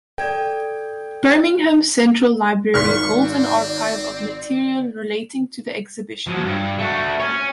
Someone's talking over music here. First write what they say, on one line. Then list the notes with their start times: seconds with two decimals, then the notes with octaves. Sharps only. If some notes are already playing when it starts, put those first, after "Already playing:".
Birmingham Central Library holds an archive of material relating to the exhibition.
0.18 A4 D5 G5 G#6
2.74 G#1 D5 C6 C#6 F6 F#6 B6
3.24 C4
6.27 F3 F#3
6.43 G2
6.79 A3 F#4
7.20 C#5 G#5